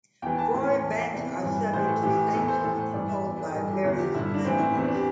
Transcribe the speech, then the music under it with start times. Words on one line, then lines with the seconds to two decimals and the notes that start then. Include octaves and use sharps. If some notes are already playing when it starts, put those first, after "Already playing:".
Foreign banks are subject to sanctions imposed by various countries.
0.22 E2 E3 G5
0.39 A5
0.53 A2 E3 C6
0.68 A5
0.83 E2 E3 A5
0.99 G5
1.13 E2 C3 E3 D5
1.43 G2 E3
1.73 A2 E3 C5
1.88 A4
2.03 A2 E3 G4
2.34 E2 E3 A4
2.48 C5
2.64 A2 E3 A4
2.79 C5
2.93 G2 E3 D5
3.09 E5
3.24 E2 E3 D5
3.40 A4
3.54 G2 E3 A4
3.70 G4
3.84 E2 D3 E4
3.99 G4
4.14 G2 D3 E4
4.25 E4
4.34 D4
4.44 A2 E3 C4
4.59 E4
4.75 E2 C4
4.79 E3
4.84 D4
4.94 G4